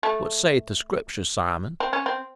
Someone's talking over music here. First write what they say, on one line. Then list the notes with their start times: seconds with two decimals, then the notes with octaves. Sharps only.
What saith the Scriptur', Simon?
0.03 A3
1.80 C4
1.93 C#4
2.06 C4